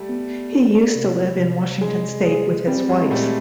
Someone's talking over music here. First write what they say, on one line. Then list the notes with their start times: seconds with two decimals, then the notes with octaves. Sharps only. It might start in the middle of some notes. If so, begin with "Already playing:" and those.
He used to live in Washington state with his wife.
Already playing: G3 A3
0.09 B3
0.53 A4
0.95 C3
1.38 C3
1.81 G#3 G#4
2.25 G#4
2.67 G3 C4
2.89 G#3
3.11 A#2 G3 A3